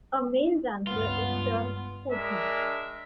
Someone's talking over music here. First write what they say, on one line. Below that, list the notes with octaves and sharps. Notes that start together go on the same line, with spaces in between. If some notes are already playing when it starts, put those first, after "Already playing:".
A male dancer is termed "Koothan".
C#2 G2 B3 F4
G#3 D4 A#4 E5